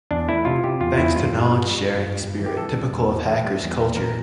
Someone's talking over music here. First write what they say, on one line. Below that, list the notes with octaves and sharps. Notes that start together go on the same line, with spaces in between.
Thanks to knowledge sharing spirit typical of hackers culture.
E2 D4
A3 E4
C3 F4
C3 G4
E2 F4
E2 E4
G2 F4
G2
G2
G3
G2
G2
G2
E3
G4
E3 A4
G3
E2
E3
E3
G3
E2
E3
A#1 A#4